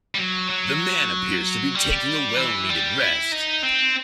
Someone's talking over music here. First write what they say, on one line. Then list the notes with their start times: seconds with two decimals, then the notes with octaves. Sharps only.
The man appears to be taking a well needed rest.
0.15 G3
0.18 F#3
0.50 F#3
1.75 G3
2.37 E3
2.69 G3
3.00 E4
3.32 D#4
3.63 C4